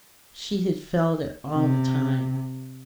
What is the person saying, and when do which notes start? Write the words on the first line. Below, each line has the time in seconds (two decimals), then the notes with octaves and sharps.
She had felt it all the time.
1.53 C3